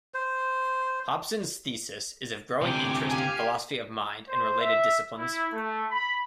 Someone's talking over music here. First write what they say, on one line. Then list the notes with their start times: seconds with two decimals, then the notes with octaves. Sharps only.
Hobson's thesis is of growing interest in Philosophy of Mind and related disciplines.
0.14 C5
2.62 D2 C3 G5 G#5 D6
3.11 G4 F5 G#5
4.28 C5
4.60 E5
5.18 E4
5.52 A3
5.90 B5